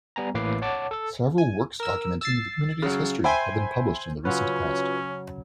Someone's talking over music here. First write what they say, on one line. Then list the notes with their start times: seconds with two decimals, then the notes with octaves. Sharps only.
Several works documenting the community's history have been published in the recent past.
0.16 G3 B3 G#5 A#5
0.34 A1 A2 A#3 B4 D6 C7
0.62 C#5 F#5 A5 D6
0.91 A4 E6
1.38 G#5
1.80 A#4 E6
2.21 E6 A6 C7
2.82 C#3 F#3
3.24 C5 E5 G5 G#5 B5 C6
4.25 C#3 F#3 C#4 F4 F#4 B4